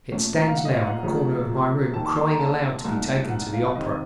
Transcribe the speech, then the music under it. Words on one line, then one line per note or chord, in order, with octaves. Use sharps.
It stands now in a corner of my room crying aloud to be taken to the opera.
A#2 F#3 A3 C#4
A#5
F5
F#5
D#5
F5
F#5
F#2 C#3 F3 A3 C#4
D#2 D#3 F#3 A5
A5
C6
A#5
A5
C2 A#2 A3 D#4
F#5
F5
C3 D#3 F#3 C4 D#4 D#5